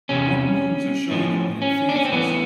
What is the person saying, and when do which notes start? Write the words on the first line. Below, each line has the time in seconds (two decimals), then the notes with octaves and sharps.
What movies are showing at Plitt Theatres.
0.09 E2 C3 C#4
1.11 A2 F3
1.62 C#4
1.89 D4
1.96 C#4
2.05 C4
2.12 A2 E3 B3